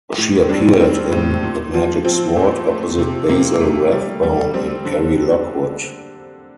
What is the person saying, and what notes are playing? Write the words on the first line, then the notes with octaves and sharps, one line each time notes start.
She appeared in The Magic Sword opposite Basil Rathbone and Gary Lockwood.
A2
C4
G3 D4
G3 C4
A2
A#2
F3
F3 C4
A#2
A3
C3
C3 A#3
A3
G3
G3
G3 C4
D3